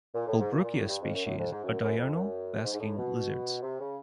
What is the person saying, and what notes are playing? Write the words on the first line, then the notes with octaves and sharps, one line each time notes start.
"Holbrookia" species are diurnal, basking lizards.
A#2
A2
G#2
A#2
A#2
A2
G2
F2
F#2
F#2
F2
G#2
F#2
F#2
F2
F#2
G#2
G#2
A2
B2
C3
C#3